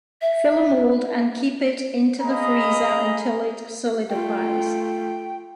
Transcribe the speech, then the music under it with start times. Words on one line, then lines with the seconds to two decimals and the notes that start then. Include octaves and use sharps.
Fill a mold and keep it into the freezer until it solidifies.
0.22 E5
2.22 G#4 D#5 F5 A#5 B5
4.09 A3 F4 G5